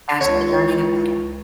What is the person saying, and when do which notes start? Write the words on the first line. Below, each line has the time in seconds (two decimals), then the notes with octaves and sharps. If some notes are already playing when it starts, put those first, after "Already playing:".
Actually learning about it.
0.21 C#2 C#5